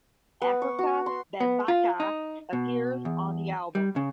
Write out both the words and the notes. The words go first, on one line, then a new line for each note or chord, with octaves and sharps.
Afrika Bambaataa appears on the album.
B3
C#6
F#4
C6
B3
F4
D#4
B2
E2
G3
C#3